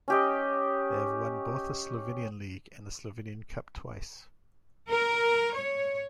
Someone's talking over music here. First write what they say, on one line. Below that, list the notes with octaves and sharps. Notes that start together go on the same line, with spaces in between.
They have won both the Slovenian League and the Slovenian Cup twice.
C#4 G4 D#5
A#4
C#5